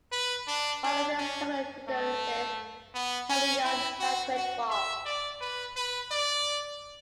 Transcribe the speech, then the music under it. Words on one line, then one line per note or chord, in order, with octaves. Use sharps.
Part of this terminal utilises Cairnryan Lighterage Wharf.
B4
D4
D4
C#4
A3
B3
C#4
E4
F#4
F#4
E5
D5
B4
B4
D5